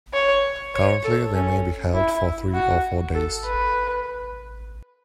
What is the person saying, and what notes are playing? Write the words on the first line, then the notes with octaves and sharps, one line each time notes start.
Currently they may be held for three or four days.
C#5
C#5
A4
C#4
E4
F#4
A4
B4